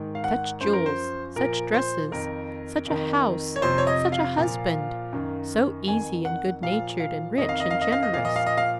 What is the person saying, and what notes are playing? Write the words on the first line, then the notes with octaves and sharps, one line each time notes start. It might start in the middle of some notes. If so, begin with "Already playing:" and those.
Such jewels! such dresses! such a house! such a husband! so easy and good-natured, and rich and generous!
Already playing: G#2 D#3
F5
F#5
F#2 F3 C5
A#4
C5
A#2 F3 A#4
C5
F2 D#3 A#4
F2 D#3
C#5
F2 C3 F3 C5
C#5
D#5
F5
A#2 F3
F#2 D#3
F2 D#3 G#5
F#5
A#2 F3 F5
F5
F2 D#3 D#5
F5
D#5
F5
D#5
F5
D#5
A#2 F3 F5
D#5
F5
D#5
F5